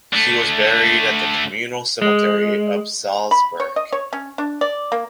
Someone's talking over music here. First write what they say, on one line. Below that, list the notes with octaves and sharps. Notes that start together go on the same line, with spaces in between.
He was buried at the communal cemetery of Salzburg.
D3 A3
G#3
B5
C#5
D#5
C#5
C#4
D4
D5
A#3